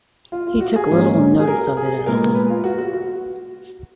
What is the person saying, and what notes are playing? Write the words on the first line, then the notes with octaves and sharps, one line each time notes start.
He took little notice of it at all.
F4
F4
F#4
G#4
G#2 F#3 A#3 C#4
G#4
A#4
G#4
A#2 G#3 B3 A#4
B4
F4
F#4
F#4
F#4